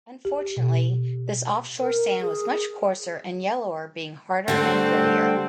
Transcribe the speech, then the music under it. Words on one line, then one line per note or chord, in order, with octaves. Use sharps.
Unfortunately this off shore sand was much coarser and yellower being harder and grittier.
G4
B2
A#4
G#4
D3 G3 A3 C4 F#5